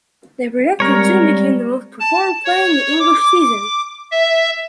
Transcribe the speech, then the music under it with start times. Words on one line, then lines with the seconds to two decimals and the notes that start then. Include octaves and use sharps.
The production soon became the most performed play in the English season.
0.80 G3 G#3 C4 A#4 C#5
2.00 A5
2.45 C#5
2.99 D6
4.11 E5